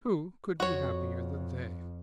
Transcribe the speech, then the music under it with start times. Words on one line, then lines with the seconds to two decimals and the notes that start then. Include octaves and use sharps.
Who could be happier than they?
0.60 F2 F#4 C#5